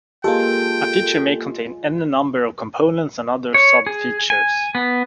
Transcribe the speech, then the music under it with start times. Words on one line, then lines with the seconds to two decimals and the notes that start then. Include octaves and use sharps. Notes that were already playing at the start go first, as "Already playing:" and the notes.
A feature may contain any number of components and other sub-features.
0.24 G#3 A#3 F4 G4 A4 G5
3.54 C#5
3.87 G#4
4.30 G#5
4.75 B3